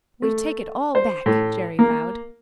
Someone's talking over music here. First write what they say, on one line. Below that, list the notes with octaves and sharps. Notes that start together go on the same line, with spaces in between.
"We take it all back," Jerry vowed.
A3
C5
A2
A#3